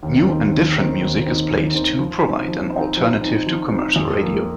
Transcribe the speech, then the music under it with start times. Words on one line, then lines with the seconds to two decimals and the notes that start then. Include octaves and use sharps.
New and different music is played to provide an alternative to commercial radio.
0.03 D#2
0.27 D#3 C4 D#4 C5
0.51 D#2
0.76 D#3 C4 D#4 C5
1.01 D#2
1.26 D#3 C4 D#4 C5
1.49 D#2
1.74 D#3 C4 D#4 C5
1.99 F3
2.24 C4 D#4
2.48 F3
2.72 C4 D#4
2.97 F3
3.22 C4 D#4
3.47 F3
3.72 C4 D#4
3.96 F2
4.20 F3 A#3